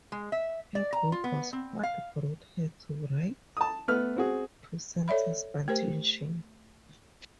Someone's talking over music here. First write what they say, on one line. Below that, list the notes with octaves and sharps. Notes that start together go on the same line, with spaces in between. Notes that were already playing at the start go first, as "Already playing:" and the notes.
Her group was what brought her to Right to Censor's attention.
G#3
E5
D5
A#5
F4
B3
C4
F5
A5 D#6
A3 B3 B4 F6
C4 F#4 G#4
A4 C#5 D5 E5 B5
A3 G4 A#4 C5